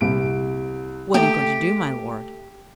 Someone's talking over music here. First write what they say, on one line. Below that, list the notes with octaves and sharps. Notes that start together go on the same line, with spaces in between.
"What are you going to do, my lord?"
C2 D7
A3 G4